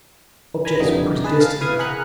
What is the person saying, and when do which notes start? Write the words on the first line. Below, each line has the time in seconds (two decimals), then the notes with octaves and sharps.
Objects were pretty distinct now.
0.65 G#5 A#5 B5
0.80 F2 D3 E3 G3 D#4
1.24 G#4 B4 A5
1.40 F5 A6
1.60 E3 B4 F5 D#6 G#6
1.79 G#4 A#4 F#5 B5 F6 F#6